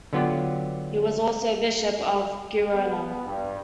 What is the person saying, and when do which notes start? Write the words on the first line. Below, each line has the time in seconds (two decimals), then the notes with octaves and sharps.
He was also bishop of Girona.
0.13 D3 F#3 B3 F4 G4
2.74 B3
3.25 G2